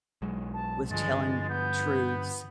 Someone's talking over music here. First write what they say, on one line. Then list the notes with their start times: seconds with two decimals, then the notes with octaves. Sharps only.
with telling truths.
0.22 B1 F#3 G#3
0.54 A5
0.91 G2 D3 F3 G#3 A6
1.49 B3 G6